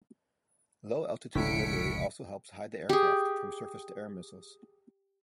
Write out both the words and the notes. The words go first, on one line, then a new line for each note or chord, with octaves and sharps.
Low-altitude delivery also helps hide the aircraft from surface-to-air missiles.
F1 C#2 A2 D3 B6 C#7 D7
G4 G#4